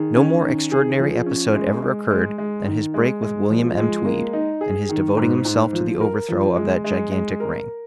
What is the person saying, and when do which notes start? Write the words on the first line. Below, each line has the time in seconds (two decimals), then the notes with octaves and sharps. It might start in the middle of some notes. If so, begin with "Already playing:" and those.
No more extraordinary episode ever occurred than his break with William M. Tweed, and his devoting himself to the overthrow of that gigantic ring.
Already playing: D#3 G#4
0.16 C#4
0.43 D#3
0.71 G#4
0.99 F3
1.26 C#4
1.55 G#3
1.82 G#3
2.10 G#3
2.38 G#3
2.66 D#3
2.94 G#3
3.22 G#3
3.50 F3
3.77 G#3
4.06 A#3
4.33 D#4
4.61 G#4
4.89 D#3
5.17 G#2
5.45 G#2
5.73 F3
6.01 A#4
6.28 F3
6.56 G#3
6.84 G#3
7.12 G#3
7.40 A#4